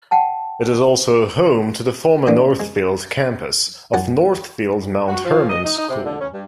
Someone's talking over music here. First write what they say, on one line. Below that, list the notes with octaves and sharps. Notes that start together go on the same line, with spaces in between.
It is also home to the former Northfield campus of Northfield Mount Hermon School.
F#5 G5 A5
D3 E3 A#3 D4
G#3
F#2 F#4 F#5 A5
F#4
F3
D#5
D#4
D#4
C3
D3
C#4
G2